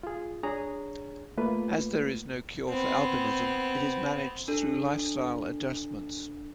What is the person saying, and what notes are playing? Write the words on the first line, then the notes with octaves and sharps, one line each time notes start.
As there is no cure for albinism, it is managed through lifestyle adjustments.
F4 G#4
D4 G#4 C#5 A#5
A3 A#3 F4 B4
B3 C4
D4 A4